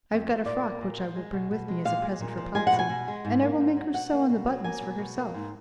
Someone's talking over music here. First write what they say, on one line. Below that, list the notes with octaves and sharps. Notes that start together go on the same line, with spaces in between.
I have got a frock which I will bring with me as a present for Potsey; and I will make her sew on the buttons for herself.
F2
F3
A#2 D5
A#3
A#2
F3
G#3
B2
B2
G#3
A#2 F5
G#3
A#2
F3
G#3 G#5
F#5
B2
G#5
B2
G#3
G#2
A#3
G#2
F#3
B2 F#5
A#3
B2
F#3
A#3 G#5
B2
B2
A#3
G#2